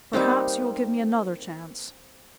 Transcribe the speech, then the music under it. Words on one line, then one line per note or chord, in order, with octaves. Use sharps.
"Perhaps you will give me another chance?"
G3 A#3 C4 D#4